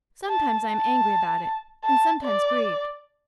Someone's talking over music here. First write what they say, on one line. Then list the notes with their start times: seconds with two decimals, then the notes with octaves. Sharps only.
Sometimes I am angry about it, and sometimes grieved.
0.29 A5
0.69 A5
1.85 A5
2.24 D5